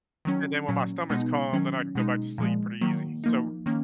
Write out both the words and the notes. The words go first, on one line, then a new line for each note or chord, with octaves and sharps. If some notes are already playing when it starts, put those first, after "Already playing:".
And then when my stomach's calm, then I can go back to sleep pretty easy, so
D#3 F#3 C#4
A#2 F#3 C#4
B2 G#3 B3 D#4
D#3 F#3 C#4
B2 G#3 D#4
A#2 F3 G#3
D#3 F#3 A#3
F3 A#3 D#4
D#3 A#3 C#4